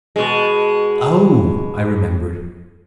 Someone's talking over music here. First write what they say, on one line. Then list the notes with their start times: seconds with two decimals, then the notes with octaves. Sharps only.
"Oh!" I remembered.
0.16 B2 G#3